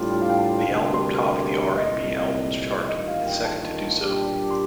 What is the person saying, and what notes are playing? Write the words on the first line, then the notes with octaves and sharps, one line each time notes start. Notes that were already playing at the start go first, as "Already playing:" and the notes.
The album topped the R and B albums chart, his second to do so.
Already playing: A2 G3 D4 F4
G5
F5
G5
A5
D2 C3 G3 A#3 D4
C6
C2 A#2 A3 C4 D#5
A1 G2 D#3 A#3 F4 D#5
F5
G5
A5
A#2 G3 D4 G4
C6